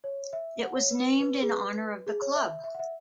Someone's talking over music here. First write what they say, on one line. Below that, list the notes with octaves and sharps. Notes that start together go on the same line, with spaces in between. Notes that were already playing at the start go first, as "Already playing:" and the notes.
It was named in honor of the club.
C#5
E5
F#5
C#5
B4
B4
B4
G#4
B4
G#4
C#5
E5
E5
F#5
E5